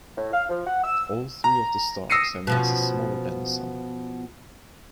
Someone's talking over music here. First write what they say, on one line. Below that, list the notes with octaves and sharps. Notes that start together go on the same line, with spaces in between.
All three of the stars have masses smaller than the Sun.
A2
F5
F3
F#5
E6
A#5
D#6 E6 A#6 C7 C#7 D#7
B2 F3 C#4